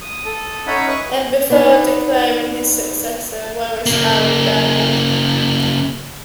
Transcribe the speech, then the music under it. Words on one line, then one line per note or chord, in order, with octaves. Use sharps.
And before declaring his successor Waris Ali died.
D#6
A4 D#6
C#4 D#4 C#5 E5 F#5 B5
B4 C#6 D#6
B3 D4 D#4 B4
C#3 A#3